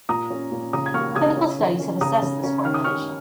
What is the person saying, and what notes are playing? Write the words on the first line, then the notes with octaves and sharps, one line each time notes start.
Clinical studies have assessed this formulation.
A#2 A#5 D#6
C#4
A#2
C#3 A#5 D#6
G#6
A#3 C#6 F6
C#3 D#6 G#6
C#4
D#3
C#4
C#3 A#5 D#6
C#3
C#4
D#3 F6
D#6
C#4 C#6 F6